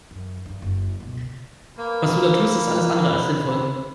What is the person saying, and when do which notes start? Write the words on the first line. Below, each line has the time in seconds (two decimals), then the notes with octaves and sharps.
Was du da tust ist alles andere als sinnvoll.
0.11 F#2
0.46 G2
0.62 F#1
1.00 C#2 B2
1.77 A#3 B4